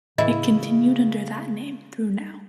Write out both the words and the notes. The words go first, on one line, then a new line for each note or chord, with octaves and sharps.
It continued under that name through now.
A2 C#3 E3 E4 D#5